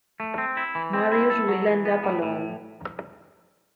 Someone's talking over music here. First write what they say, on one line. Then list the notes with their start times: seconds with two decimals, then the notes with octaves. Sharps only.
Marius will end up alone.
0.20 A3
0.38 C4
0.57 E4
0.75 E3
0.93 C4
1.12 E4
1.30 A4
1.48 F#3
1.67 E3
1.85 B3
2.04 A2
2.22 A2